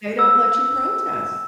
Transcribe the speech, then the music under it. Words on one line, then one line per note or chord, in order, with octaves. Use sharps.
They don't let you protest.
E6